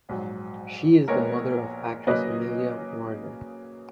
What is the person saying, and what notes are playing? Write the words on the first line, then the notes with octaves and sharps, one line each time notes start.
She is the mother of actress Amelia Warner.
A#1 G#2 F#3
A#1 A#2 G#3 B3 A#4 C#5
C#3 F#3 A#3 B4 D#5